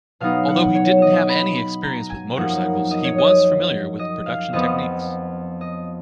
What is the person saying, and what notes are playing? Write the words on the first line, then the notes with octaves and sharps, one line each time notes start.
Although he didn't have any experience with motorcycles, he was familiar with production techniques.
B2 F#3 B3 D#4 F5
F#5
C#5
D#5
B5
B5
A#5
G#5
F#2 F3 A#3 D#4 F#5
D#5
C#5
D#5
D#5
F5
F2 F3 B3 D#5
D#5